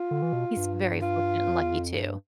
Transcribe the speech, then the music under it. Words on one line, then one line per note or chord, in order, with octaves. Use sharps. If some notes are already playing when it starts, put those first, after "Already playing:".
He's very fortunate and lucky, too.
Already playing: F4
D3
E3
B2
G2
F4
F2
E2
F2
G2